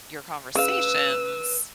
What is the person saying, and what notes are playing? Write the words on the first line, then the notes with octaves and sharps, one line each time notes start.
your conversations
C#3 B4 F5 E6